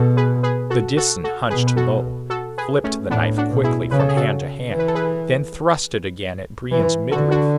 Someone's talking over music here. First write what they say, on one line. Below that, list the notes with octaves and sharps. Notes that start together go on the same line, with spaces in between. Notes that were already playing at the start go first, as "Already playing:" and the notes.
The Disan hunched low, flipped the knife quickly from hand to hand, then thrust it again at Brion's midriff.
Already playing: B2 F#4 G#4 A4
G#4 B4
G#4 B4
F#4 A4
F#4 A4
F#4 A4
B2 G#4 B4
B4
F#4 A4
F#4 A4
G#4 B4
A3 C#4
A2 B3 D4
D4 F#4
B2
E4 G#4
C#3 B4
A4
G#4
F#4 A4
E3
B4
A4
G#4 B4
E3
D3 F#4 A4
D4 F#4